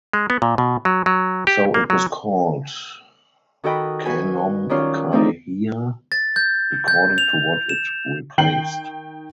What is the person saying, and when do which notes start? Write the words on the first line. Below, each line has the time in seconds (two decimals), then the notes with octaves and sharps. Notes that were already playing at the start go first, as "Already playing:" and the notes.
So it was called "khanom khai hia" according to what it replaced.
0.13 G#3
0.30 B3
0.42 A#2
0.58 B2
0.85 F#3
1.06 F#3
1.47 G4
1.74 A#3
1.90 F#3
3.64 D#3 F#4 A4 D#5 G5 B5
4.05 F#4 B4 G#5
4.69 D#3 F#3 G3 C#4 F4 C6
5.12 A3 C4 D4 D#4
6.12 A6
6.36 G6
6.88 G6
7.18 F7
7.69 E7
8.38 D#3 G5 C7 F#7